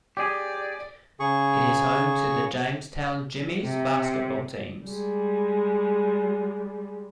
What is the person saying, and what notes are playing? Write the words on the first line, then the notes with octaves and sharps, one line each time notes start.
It is home to the Jamestown Jimmies basketball teams.
G4 G#4 D5
C#3 G#4 C#6
C3
G3 G#3